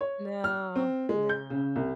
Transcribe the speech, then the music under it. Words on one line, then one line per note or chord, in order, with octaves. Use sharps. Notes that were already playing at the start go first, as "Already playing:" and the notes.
No, no.
C#5
F6
C4
G#3
G6
C#3
C2